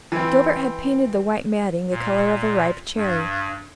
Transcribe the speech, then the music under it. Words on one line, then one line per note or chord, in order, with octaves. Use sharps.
Gilbert had painted the white matting the color of a ripe cherry.
E3 C4
A#2
G2